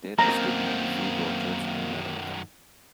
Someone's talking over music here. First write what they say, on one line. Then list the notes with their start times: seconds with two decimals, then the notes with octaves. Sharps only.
There are still many fruit orchards in Naramata.
0.19 F#2 D#3 A#3 C4 A#5